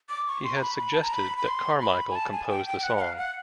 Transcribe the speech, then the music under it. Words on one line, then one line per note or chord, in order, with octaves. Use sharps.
He had suggested that Carmichael compose the song.
D6
C#6
C6
A#5
B5
B5
A5
A#5
B5
B5
C6
B5
G#5
A5
G#5
G5
G5
G5
F#5
F#5
F5
F#5